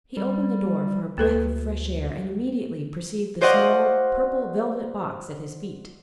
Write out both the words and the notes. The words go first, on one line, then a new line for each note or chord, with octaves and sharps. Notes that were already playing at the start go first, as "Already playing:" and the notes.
He opened the door for a breath of fresh air, and immediately perceived the small, purple velvet box at his feet.
G3
D2 A#3 A4 B4
F#4 C5 D5 D#5 F5 F#5